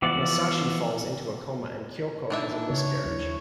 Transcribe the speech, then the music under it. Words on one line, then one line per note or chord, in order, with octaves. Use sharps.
Masashi falls into a coma and Kyoko has a miscarriage.
E3 F3 B3 F#4 D5
E3 D4 D#4 E5
C#3 C#5
D#2 F#3 D4 E4